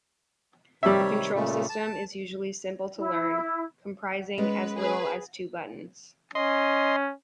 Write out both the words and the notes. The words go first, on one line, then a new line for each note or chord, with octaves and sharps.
The control system is usually simple to learn, comprising as little as two buttons.
C3 D#3 G3 C#5 E5
A#2 C#3 A3
A5
E4
G#3 B3 C#4 B4
G#4 B4
C#4 D#5 C6